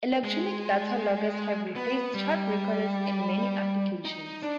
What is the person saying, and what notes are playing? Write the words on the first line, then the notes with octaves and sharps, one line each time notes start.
Electronic data loggers have replaced chart recorders in many applications.
G#3
B3
G3
D#4
D4